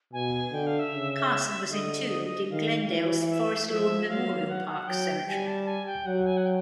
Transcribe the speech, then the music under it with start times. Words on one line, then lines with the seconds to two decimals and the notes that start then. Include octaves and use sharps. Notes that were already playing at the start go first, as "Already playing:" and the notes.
Carson was entombed in Glendale's Forest Lawn Memorial Park Cemetery.
0.13 B2 G#5
0.53 D3 G5
0.66 F5
0.79 E5
0.93 C#3
1.71 D3 D#5
2.50 D#3 F5
2.90 E3
3.30 E5
3.69 F3 E5
4.09 F#3 F5
4.48 F#5
4.68 F#5
4.88 F#3 G5
5.27 G3 G#5
5.47 A5
5.67 G#5
5.86 G5
6.06 F#3 F#5
6.26 G#5
6.37 F#5
6.46 G5